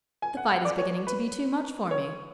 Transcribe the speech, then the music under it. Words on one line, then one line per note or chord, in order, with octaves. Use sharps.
The fight is beginning to be too much for me.
G#5
F#5
F#5
D5
C#5
B4
C#5